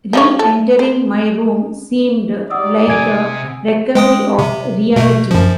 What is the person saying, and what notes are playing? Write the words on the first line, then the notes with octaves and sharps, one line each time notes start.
Re-entering my room seemed like the recovery of reality.
F3 G3 C#5
A4
C5
D#4 G4 D5 F#5 D#6 E6
C3 G#5 G#6 D7
G#3 G5 D#6
C3
B2 A3
F#2 F3